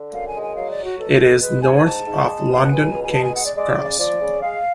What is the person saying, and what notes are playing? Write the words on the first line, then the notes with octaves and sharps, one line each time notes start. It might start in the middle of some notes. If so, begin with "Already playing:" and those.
It is north of London King's Cross.
Already playing: D3
F#2 F5
G#5
G#3
G#5
F#3 F5
D5
F#3
F#4
B2 A4
B2
G#3 B4
G#2 G#5
G#5
G#2 A5
G#2
G#3
B2 F5
F#5
C#2 G#5
B2
G#5
G#3 A5
G#5
G#3 F#5
D5
G#3 D5
C#3
F3 D5
C#3
G#3 F5